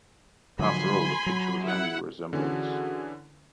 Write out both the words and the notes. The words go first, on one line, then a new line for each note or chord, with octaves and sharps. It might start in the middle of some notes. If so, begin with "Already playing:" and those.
After all, the picture was only a resemblance.
D3 F3 F#3 G#5 B5 C6
F#3
E4 F#5
D3 E3 C#4 F#4 G#4